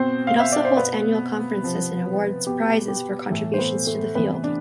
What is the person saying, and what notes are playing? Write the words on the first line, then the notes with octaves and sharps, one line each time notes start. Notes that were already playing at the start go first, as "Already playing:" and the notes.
It also holds annual conferences and awards prizes for contributions to the field.
Already playing: B2 C4 C5
F5
E5
D5
C5
B2 B3 B4
C3 F3
B2 G4
G4
A2 E3 A3 A4
C5
B3 B4
A3 A4
C3 E3 B3 B4
D4 D5